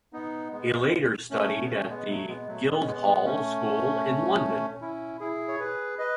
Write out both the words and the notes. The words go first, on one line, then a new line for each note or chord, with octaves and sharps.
He later studied at the Guildhall School in London.
B3 D#4
G#3 B3
A3 C#4
B3
A3 C#4
G#3 B3
F#3 A3
G#3 B3
B3
F#3 A3
G#3 B3
C#4
G#3 B3
G#3 B3
A3 C#4
C#4 E4
E4 G#4
C#5
G#4 B4
B4 D#5